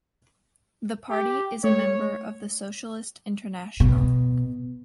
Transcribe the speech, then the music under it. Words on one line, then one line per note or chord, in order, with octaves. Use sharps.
The party is a member of the Socialist International.
G4
A3 C#5
B2